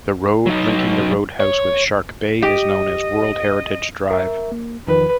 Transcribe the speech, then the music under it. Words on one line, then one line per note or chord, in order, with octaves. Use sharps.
The road linking the roadhouse with Shark Bay is known as "World Heritage Drive".
F#3 D#4
C#5
G4 D#5
A#4 E5
A#3
E2 D#3 F3 B4